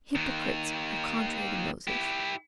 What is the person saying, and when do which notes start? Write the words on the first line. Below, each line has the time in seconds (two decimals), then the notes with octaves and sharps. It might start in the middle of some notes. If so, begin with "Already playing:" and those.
Hypocrites are contrary to Moses.
0.15 D#2 D#3
1.88 E4 G4